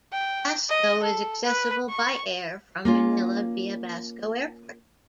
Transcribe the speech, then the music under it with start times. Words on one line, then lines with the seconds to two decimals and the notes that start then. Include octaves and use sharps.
Basco is accessible by air from Manila via Basco Airport.
0.13 G5
0.69 D#5
1.03 A4
1.44 B4
1.89 C#6
2.85 A#3 C#4 F4